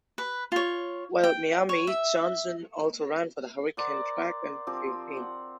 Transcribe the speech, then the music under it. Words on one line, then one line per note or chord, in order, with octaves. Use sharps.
While at Miami, Johnson also ran for the Hurricanes track and field team.
B4
F4 C#5
G5
C#5
E5
A#4 C5 D5 F#5
F3 C4 G4
F#5